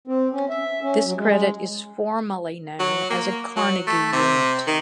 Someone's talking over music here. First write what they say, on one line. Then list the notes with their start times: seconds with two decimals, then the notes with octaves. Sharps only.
This credit is formally known as a Carnegie Unit.
0.07 C4
0.33 C#4
0.50 E5
0.82 C#4
1.04 F#3
1.17 G#3
2.79 F#3
3.10 A#3
3.56 F#3
3.87 A3
4.12 C3
4.67 D#3